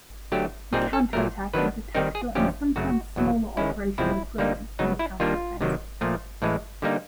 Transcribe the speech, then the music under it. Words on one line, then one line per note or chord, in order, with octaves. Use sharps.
A counterattack is the tactical and sometimes smaller operational equivalent of the counter-offensive.
D3 F#3 A3 G4
A#2 G3 C4 D#4 G#4
A4
A#2 F#3 A3 A#4
D#3 F#3 B3 D4 B4
D#3 G3 C4 D#4 A#4
G#4
F2 D3 F3 A3 C#4 G4
F#2 C#3 F#3 A3 F#4
E2 B2 F#3
D#3 G#3 C#4 E4
E2 C3 F3 G#3 C4 E4
D3 G3 A#3 D#4
C#3 F#3 B3 D#4
E4
D#3 G3 A#3 D4 F4
C3 D#3 F#3
A#2 F3 A3
A2 E3 G#3
D3 G3 A#3 D#4